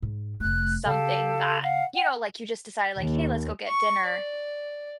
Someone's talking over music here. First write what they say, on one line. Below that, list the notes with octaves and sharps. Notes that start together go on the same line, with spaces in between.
something that, you know, like, you just decided, like, "Hey, let's go get dinner
G#2
F1 A3 F#6
C#3 C4 G4 A4 F5
F5 F#5
F#5 G5
D#2
C#6
D5